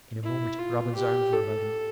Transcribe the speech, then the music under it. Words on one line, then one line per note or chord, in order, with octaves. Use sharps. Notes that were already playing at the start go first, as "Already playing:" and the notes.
In a moment Robin's arms were about him.
E4
F4
G4
A4